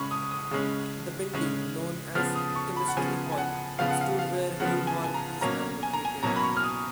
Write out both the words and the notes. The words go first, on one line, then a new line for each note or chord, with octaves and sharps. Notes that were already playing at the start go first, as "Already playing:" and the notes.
The building, known as "Chemistry Hall," stood where Hill Hall is now located.
Already playing: C#3 G#3 C#4 B5 C#6
D#6
D#6
C#3 G#3 C#4
C#3 G#3 C#4
C#3 F3 B3 F6
D#6
C#6
B5
F#5
C#3 F3 B3 G#5
G#5
F#5
C#3 F3 B3 F5
F#5
F5
F5
C#3 F3 B3 F#5
G#5
G#5
A#5
B2 F#3 A#3 C#4 A#5
G#5
A#5
G#5
B2 F#3 A#3 C#4 A#5
B5
C#6
F6
D#6